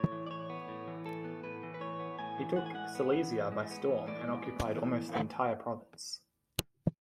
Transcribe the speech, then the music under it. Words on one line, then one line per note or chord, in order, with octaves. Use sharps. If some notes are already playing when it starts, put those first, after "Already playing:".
He took Silesia by storm and occupied almost the entire province.
Already playing: A2 C#5
E3
D5
A2 C#5
B3
A2
E3
A2 A4
B3
A2 B4
E3
B4
A2 C#5
B3
A2 G#5
E3
A2 F#5
G#5
G#3 F#5
B3
E3
A2
G#3
B3
E3
A2 D5
G#3
B3
E3
A2